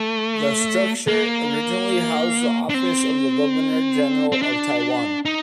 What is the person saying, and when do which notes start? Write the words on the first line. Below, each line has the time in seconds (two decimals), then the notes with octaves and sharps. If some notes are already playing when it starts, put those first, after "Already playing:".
The structure originally housed the Office of the Governor-General of Taiwan.
Already playing: A3
1.08 A#3
2.70 D4
2.74 C4
4.32 C4
4.42 D4
5.25 D#4